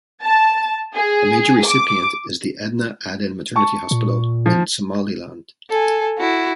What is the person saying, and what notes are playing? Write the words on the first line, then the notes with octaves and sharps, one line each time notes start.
A major recipient is the Edna Adan Maternity Hospital in Somaliland.
A5
G#4
D6
A5 C#6
A#2
F3
A4 G#5
E4 F#4